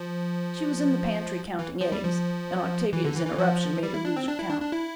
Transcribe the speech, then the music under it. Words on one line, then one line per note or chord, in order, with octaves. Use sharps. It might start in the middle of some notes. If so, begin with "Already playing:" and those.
She was in the pantry counting eggs, and Octavia's interruption made her lose her count.
Already playing: F3
E3
F3
G3
F3
E3
D3
E3
E3
F3
G3
E4
D4
C4
D4
E4
D4
D4
E4